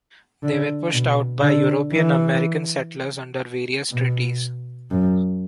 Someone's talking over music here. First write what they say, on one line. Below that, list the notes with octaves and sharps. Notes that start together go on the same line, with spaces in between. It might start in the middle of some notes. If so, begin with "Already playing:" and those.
They were pushed out by European-American settlers under various treaties.
D3
B2
D3
E3
B2
F#2